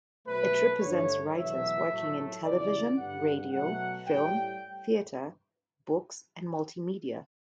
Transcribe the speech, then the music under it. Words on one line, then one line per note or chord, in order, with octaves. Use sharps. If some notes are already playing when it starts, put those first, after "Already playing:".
It represents writers working in television, radio, film, theatre, books and multimedia.
B2 F#3 A3 B4
G2 D3 A3 C#5
E2 B2 F#3 A3 E5
A2 F#3 A3
E2 C#3 E3 D5
G2 D3 G3 F#5
B2 F#3 A3 F#5
A2 G3 G5